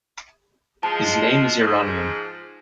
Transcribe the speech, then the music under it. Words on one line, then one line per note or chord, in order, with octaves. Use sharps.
His name is Iranian.
F3 G#3 A5
G#2 F3